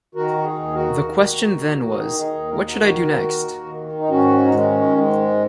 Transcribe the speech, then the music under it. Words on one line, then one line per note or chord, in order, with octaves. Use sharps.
The question then was: what should I do next?
D#3 F#4 A#4
F#4
D#4 G#4
D#2
F#4 A#4
D#3
D#2
D#3 D#4 G#4
D#4 G#4
D#2
A#4
F#4 A#4
D#3
D#2
D#3
D#4
G#2 C#4 F#4
D#4
D#3 G#3 C#4
G#2 G#3